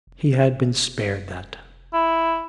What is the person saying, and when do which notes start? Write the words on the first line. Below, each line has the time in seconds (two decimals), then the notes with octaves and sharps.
He had been spared that!
0.07 F1
1.94 E4